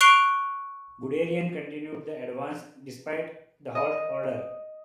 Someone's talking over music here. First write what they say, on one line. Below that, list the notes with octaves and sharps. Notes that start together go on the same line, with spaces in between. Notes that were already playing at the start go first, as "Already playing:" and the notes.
Guderian continued the advance, despite the halt order.
C#6 F#6 C7 D7 F7 G7
D#5